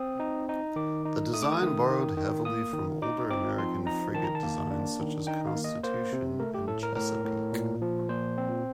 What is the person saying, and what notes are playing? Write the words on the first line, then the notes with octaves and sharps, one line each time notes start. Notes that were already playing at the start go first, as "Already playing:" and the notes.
The design borrowed heavily from older American frigate designs such as "Constitution" and "Chesapeake".
Already playing: C4 D#6
D#4
D#4
D#3 D6
D#4
A3 D#6
D6
D#6
D#3
D#3
D#3
A#3 D#6
D#3
D#4 D6
C4 D6
F3 C6
D#4 A#5
D#3 A5
A#5
A5
A#3
D4
D#3
D#4 G5
F5
A#3
D#5
A#3 C5
C3
A3 A#4
G4
A2 A4
A#4
A2 A#4
A2
A#2
F3
A#2 C5
C4